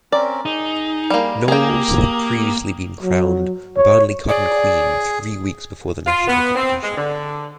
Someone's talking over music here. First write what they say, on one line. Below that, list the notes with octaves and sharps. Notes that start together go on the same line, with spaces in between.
Knowles had previously been crowned Burnley Cotton Queen three weeks before the national competition.
C4 C#4 A#4 D5
D#4 G#4
G3 A#3
A#3 G4 G#4 G5 A#5 D#6
F#3
C#5
G#4 D5
F4
B3
C4
G#3
D3